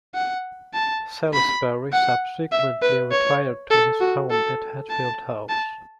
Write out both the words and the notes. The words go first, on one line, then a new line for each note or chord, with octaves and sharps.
Salisbury subsequently retired to his home at Hatfield House.
F#5
A5
B5
F#5
E5
B4
C#5
A4
F#4
A4
A5
A5